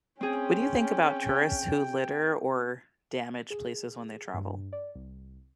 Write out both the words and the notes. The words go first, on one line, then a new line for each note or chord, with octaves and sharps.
What do you think about tourists who litter or damage places when they travel?
C4 C#4 G#4 G5
G#4
G2
D5
C2